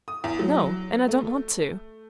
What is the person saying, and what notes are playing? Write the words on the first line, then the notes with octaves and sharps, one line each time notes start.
"No, and I don't want to."
D#6
E2
F#3
A3